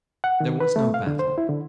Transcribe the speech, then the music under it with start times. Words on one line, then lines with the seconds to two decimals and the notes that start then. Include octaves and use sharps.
There was no battle.
0.24 F#5
0.40 D#3
0.60 B4
0.76 A3
0.94 F5
1.07 D3
1.19 C5
1.38 E4
1.49 D3